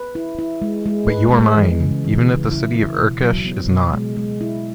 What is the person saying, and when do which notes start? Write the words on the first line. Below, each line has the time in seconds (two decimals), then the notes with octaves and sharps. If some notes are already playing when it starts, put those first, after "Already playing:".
But you are mine, even if the city of Urkesh is not.
Already playing: B4
0.15 E4
0.39 E4
0.62 G#3
0.86 G#3
1.09 B4
1.33 G#3
1.57 E3
1.80 C#3
2.04 E3
2.28 C#3
2.51 E4
2.75 E4
2.98 B2
3.22 F#3
3.46 B3
3.70 B2
3.93 G#3
4.17 G#3
4.41 E4